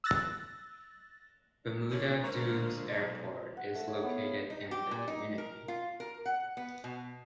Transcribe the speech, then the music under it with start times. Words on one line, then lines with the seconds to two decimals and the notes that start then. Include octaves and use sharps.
Bermuda Dunes Airport is located in the community.
0.04 E6 F#6 A6 A#6
1.91 D3 C#5
2.24 A#2 D3 G#3 A#4 C5 A#5 C#6
2.88 B1 D5
3.57 F#5
3.75 A3
3.88 C#5
4.03 B3
4.16 F5
4.50 D#4
4.71 G4
4.91 A#2
5.08 D#4
5.38 A#4
5.68 F4
6.00 A#4
6.26 F#5
6.57 B3
6.84 B2